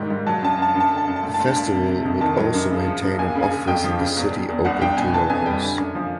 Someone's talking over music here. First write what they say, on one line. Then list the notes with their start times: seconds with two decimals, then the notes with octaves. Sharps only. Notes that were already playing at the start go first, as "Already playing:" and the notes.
The festival would also maintain an office in the city open to locals.
Already playing: G#2 D#3 G3
0.10 G#2
0.27 F#3 A5
0.42 F#2 A5
0.59 F#2 A5
0.75 F#2
0.80 A5
0.91 D3
0.97 A5
1.08 F#2
1.16 A5
1.23 D2
1.34 A5
1.40 D2
1.51 D2 A5
1.72 C3
1.89 C3
2.05 F2
2.21 D#3 A5
2.38 F#3
2.54 F#2
2.71 C#3
2.86 F3
3.02 F#2
3.19 D#2 G#5
3.35 C#3
3.43 G#5
3.52 C#3
3.68 F2 G5
3.84 F3
4.00 C#3
4.17 E2
4.32 E2
4.49 E2
4.65 C2 F#5
4.81 C2 G5
4.97 B2 G#5
5.14 E3 A5
5.30 F2 G#5
5.46 G3 G5
5.62 D3 G#5
5.79 F#2
5.95 F3